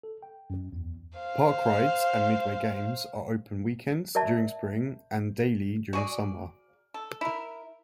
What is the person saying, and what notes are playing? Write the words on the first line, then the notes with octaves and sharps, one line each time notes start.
Park rides and midway games are open weekends during spring and daily during summer.
A4
G5
F#2
E2
C5 F5
A#4 D5 E5 A5
F#4 G#4 D5
A4
E4 A#4